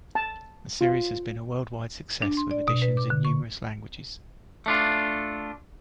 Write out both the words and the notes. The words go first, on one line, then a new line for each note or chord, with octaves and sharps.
The series has been a worldwide success with editions in numerous languages.
A5
F4
D4
C6
D5
B2
B4
D6
D3
C#6
A3 D4 F4